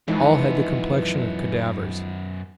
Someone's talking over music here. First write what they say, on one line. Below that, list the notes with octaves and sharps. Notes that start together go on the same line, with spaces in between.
All had the complexion of cadavers.
F#2 E3 F3 G#3 B3 D#4